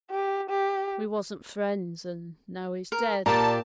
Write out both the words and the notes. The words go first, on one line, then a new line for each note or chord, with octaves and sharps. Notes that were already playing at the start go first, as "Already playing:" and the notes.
We wasn't friends; and now he's dead.'
G4
G4
A#4
A#2 G4 D5 A5 A#5